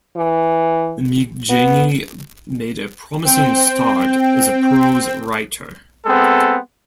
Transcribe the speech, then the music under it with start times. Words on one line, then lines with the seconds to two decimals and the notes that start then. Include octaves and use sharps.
Migjeni made a promising start as a prose writer.
0.16 E3
1.49 B3
3.24 C4 G5
6.05 G#3 B3 C4 A4